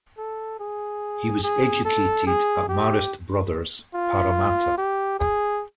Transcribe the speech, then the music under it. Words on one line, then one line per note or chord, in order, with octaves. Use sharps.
He was educated at Marist Brothers, Parramatta.
A4
G#4
G#4
A4
G#4
G4
F4
G4
G#4